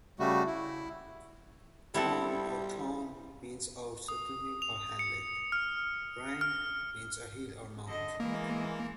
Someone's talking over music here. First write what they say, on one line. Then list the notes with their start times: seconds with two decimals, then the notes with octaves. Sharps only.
"Tun" or "ton" means a settlement or hamlet, "rhyn" means a hill or mount.
0.20 C#3 G3 A3 F#4
0.47 E4
1.94 G3 B3 C4 E4 A4
4.08 D#6
4.62 F7
4.99 C#7
5.52 F6
6.41 F6
7.87 D3 D#5
8.20 E3 G#3 A#3